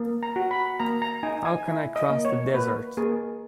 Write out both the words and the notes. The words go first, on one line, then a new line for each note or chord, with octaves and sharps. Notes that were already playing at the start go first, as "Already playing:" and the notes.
How can I cross the desert?
Already playing: A#3
A#5
F#4
B5
A#3 A#5
A#5
D#4 G#5
G#5
E4
D#5
A#3
C#5
A#3 B4
A#3 G#4